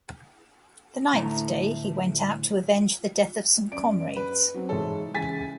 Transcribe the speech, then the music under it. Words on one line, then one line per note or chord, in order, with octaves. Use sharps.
The ninth day, he went out to avenge the death of some comrades.
D2 A2 A3 E4 C5 A#5
F#2 D5 D7
B4
F#3 C4
G#2 E3 A4 C#5
C#3 E3 G#3 G#5 A6 B6